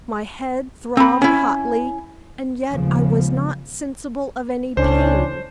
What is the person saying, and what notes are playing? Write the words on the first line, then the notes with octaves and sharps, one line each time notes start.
My head throbbed hotly--and yet I was not sensible of any pain.
C4 B5
C#4 E4
D#2 C#3 F3 G#3 B3
C#2 A2 C#4 D4 C5